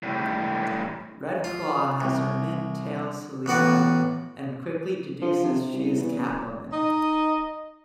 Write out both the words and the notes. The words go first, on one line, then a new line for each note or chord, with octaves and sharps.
Red Claw has her men tail Selina and quickly deduces she is Catwoman.
A2 G3
F4
C2
A1 B3 F#4 D5
F3
C3
C2
E2
F#1
D#4 D#5